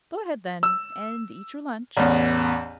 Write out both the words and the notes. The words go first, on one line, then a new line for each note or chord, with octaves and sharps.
"Go ahead, then, and eat your lunch."
E6
A1 E2